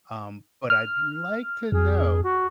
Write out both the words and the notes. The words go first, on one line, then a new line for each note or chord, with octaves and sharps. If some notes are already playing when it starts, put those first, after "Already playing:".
um, but I'd like to know
F6
F2 G#4
F#4